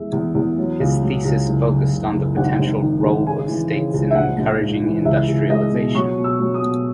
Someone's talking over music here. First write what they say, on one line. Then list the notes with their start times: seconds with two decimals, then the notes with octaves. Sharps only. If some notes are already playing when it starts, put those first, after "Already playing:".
His thesis focused on the potential role of states in encouraging industrialisation.
Already playing: E2 G#3 E5
0.13 E2
0.35 E2
0.58 F#3
0.80 C#2
1.02 F#3
1.25 C#2
1.47 F#1
1.70 F#1
1.92 F#1
2.14 F#1
2.36 G#1 F#5
2.59 G#1
2.81 D#3
3.03 G#1
3.26 C#3 G#5
3.48 E3
3.71 C#3
3.93 C#2
4.11 E5
4.15 A#1 F#5
4.38 A#1
4.60 G#2
4.83 E3
5.05 C#2 E5
5.27 C#2
5.50 G#3 D#5
5.72 B2
5.95 F#3 C#6
6.18 B2
6.24 E6
6.40 F#3
6.54 D#6
6.62 B2